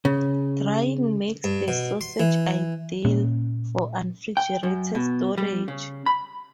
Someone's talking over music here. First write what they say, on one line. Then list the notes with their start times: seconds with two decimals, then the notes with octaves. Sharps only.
Drying makes the sausage ideal for unrefrigerated storage.
0.05 C#3
1.44 G2
1.68 B2
2.01 C6
2.20 E3
3.05 A#2 C#4
4.37 G5
4.63 F#2
4.95 B2
5.38 G3
5.68 C#3
6.06 B5